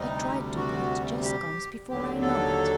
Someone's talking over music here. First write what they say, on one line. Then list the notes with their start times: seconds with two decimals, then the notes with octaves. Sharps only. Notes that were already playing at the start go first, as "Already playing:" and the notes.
I try to, but it just comes before I know it.
Already playing: D2 C3 G3 D#4
0.56 F#4
1.23 G4
1.89 D#2 D3 F#3 G4
2.22 A4